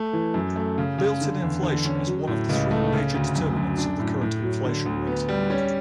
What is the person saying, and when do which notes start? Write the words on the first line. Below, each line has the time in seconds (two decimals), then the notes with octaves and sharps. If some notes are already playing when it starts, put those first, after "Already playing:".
Built-in inflation is one of three major determinants of the current inflation rate.
Already playing: A3
0.13 E3
0.34 F#2
0.56 A3
0.78 C#3
0.98 C#3
1.21 D3
1.42 E2
1.63 D3
1.85 C#4
2.07 F#3
2.27 A2
2.49 C#2
2.71 A3
2.92 C#3
3.14 D2
3.36 F#2
3.56 F#2
3.78 D4
4.00 A2
4.21 A2
4.43 F#3
4.65 D3
4.86 D2
5.07 B3
5.29 G3
5.50 C#4